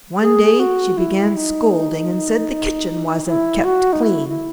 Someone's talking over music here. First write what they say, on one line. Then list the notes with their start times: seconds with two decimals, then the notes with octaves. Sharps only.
One day she began scolding and said the kitchen wasn't kept clean.
0.22 G#4
0.60 F#4
0.97 E4
1.36 D#4
3.26 E4
3.65 F#4
3.93 D#4
4.02 E4
4.29 E4